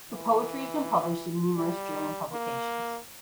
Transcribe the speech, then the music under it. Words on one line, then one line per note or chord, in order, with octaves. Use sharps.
Her poetry has been published in numerous German publications.
E3
G3
A#3